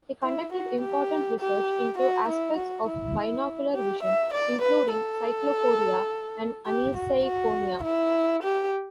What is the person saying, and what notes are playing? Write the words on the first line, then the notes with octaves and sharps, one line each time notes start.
He conducted important research into aspects of binocular vision, including cyclophoria and aniseikonia.
E4
F#4
G4
G4
F#4
E4
F#4
E4
G4
E5
D5
B4
A4
G4
F#4
F#4
E4
G4